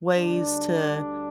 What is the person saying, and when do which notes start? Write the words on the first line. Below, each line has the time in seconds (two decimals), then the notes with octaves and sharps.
ways to
0.16 D2 D3 G3 D4